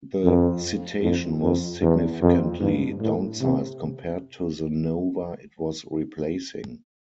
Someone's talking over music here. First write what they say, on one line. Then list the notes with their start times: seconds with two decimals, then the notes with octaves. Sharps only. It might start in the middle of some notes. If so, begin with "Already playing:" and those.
The Citation was significantly downsized compared to the Nova it was replacing.
0.24 F2
1.02 F2
1.42 F2
1.82 E2
2.22 F2
2.61 G2
3.01 A2
3.41 C3